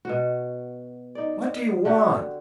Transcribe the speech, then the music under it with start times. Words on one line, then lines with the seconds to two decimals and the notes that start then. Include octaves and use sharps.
"What do you want?"
0.05 B2 F#4
1.15 D#4 D5
1.85 D3 F#4 G4